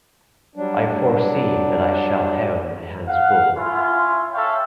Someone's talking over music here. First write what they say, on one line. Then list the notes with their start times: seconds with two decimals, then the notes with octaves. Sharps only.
I foresee that I shall have my hands full.
0.56 F#3 G3 D4
3.08 F5 F#5
3.56 C#4 E4 F4
4.34 A4 C#5 E5 F5 G5